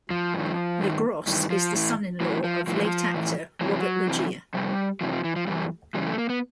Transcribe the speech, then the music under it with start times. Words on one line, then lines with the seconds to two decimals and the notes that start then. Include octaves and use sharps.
LeGros is the son-in-law of late actor Robert Loggia.
0.10 F3
0.34 G2 D#3
0.80 G2 D#3
1.27 G2 D#3 E3
1.50 F3
1.74 A2 E3
2.20 A2 E3 F#3
2.44 F3
2.67 A2 E3 F3
3.14 A2 E3
3.61 F2 C3 E3 F#3
4.08 F2 C3 E3
4.54 F2 C3 G3
5.01 F2 C3 E3 F#3
5.13 F3
5.24 E3
5.36 F3
5.47 F#2 C#3 E3 G3
5.95 F#2 C#3 E3 G3
6.06 A3
6.18 A#3
6.30 B3